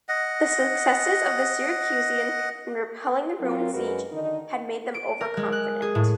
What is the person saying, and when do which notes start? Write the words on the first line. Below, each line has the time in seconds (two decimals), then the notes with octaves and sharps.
The successes of the Syracusians in repelling the Roman siege had made them overconfident.
0.09 D#5 F#5
3.39 F#3 C4 F4 A#4
3.74 F#2 G#3 F#4 A#4 B4
4.12 D3 D#3 D#4
4.94 D7
5.21 A#4
5.37 G#3
5.52 F#6
5.82 G#4
5.95 A2